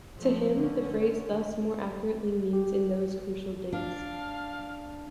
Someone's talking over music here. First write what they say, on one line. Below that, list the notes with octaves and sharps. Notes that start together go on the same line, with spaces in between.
To him the phrase thus more accurately means in those crucial days.
F3 A3
D3 C#4
G4
D4 F5